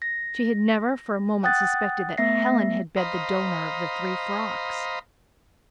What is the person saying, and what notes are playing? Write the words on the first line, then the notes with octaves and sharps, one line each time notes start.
She had never for a moment suspected that Helen had been the donor of the three frocks.
A#6
F#5 G5 D#6 F#6 A6
A3 B3 E5 A#6 C7
C5 D#5 F5 A#5 B5